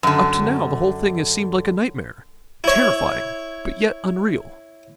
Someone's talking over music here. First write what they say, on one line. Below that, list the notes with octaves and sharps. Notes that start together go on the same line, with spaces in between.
Up to now the whole thing has seemed like a nightmare--terrifying, but yet unreal.
F#2 D3
E4 C#5